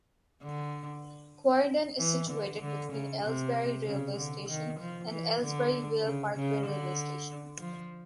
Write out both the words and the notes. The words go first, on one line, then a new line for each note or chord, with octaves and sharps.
Quarrendon is situated between Aylesbury railway station and Aylesbury Vale Parkway railway station.
D3
E3
D3
D3
C#3
C3
C#3
D3
D#3
F3
E3
D3
C#3
C#3
D3
F3